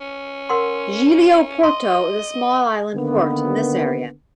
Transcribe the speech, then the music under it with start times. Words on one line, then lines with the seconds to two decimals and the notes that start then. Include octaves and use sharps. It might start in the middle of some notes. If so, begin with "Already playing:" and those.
Giglio Porto is a small island port in this area.
0.01 C#4
0.49 A#4 F#5 C6
1.63 D#5 C6
2.95 D3 D#3 A#3 B3